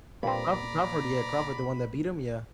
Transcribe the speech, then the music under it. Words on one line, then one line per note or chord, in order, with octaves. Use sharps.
Crawford Crawford, yeah, Crawford, the one that beat him? Yeah.
G2 A#2 A#3 C4 D5 A#5 B5